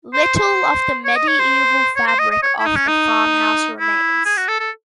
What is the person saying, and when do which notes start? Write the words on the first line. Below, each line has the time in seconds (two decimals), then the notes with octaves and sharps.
Little of the medieval fabric of the farmhouse remains.
0.13 C5
0.36 C5
1.05 C#5
1.16 D#5
1.28 C#5
1.39 C5
1.96 C#5
2.07 C5
2.19 D#5
2.31 D#5
2.43 C#5
2.59 E4
2.65 D#4
2.76 C#4
2.88 D#4
3.79 E4
4.25 G#4
4.37 F#4
4.48 A4
4.60 A4